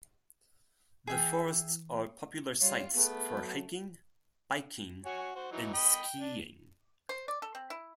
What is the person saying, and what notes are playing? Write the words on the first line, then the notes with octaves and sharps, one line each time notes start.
The forests are popular sites for hiking, biking and skiing.
E3 G#4 E5 G5
G3 F4 C#5
A3 B3 G#4
F#3
F#4 C#5 G#5
F#4 C5
E3 F#3 D#4
D#5 G5 B5
G5
D4
C5
D5
A4
C4
E4